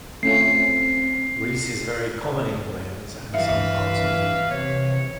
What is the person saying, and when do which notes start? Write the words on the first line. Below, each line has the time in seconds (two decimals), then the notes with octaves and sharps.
Rhys is very common in Wales, and some parts of England.
0.23 A3 C4 C#4 F4 C7
3.34 G2 E3 B4 E5 F5
4.51 C3 C#5